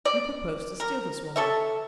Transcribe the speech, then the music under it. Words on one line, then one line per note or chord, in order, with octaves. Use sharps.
You propose to steal this woman.
D5
A#4
A4 C#5 E5